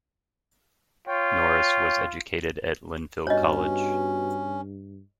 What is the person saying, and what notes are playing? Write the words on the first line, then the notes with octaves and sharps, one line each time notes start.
Norris was educated at Lynfield College.
F4 C#5 G5
G2 B2 C#4 C#5 D#5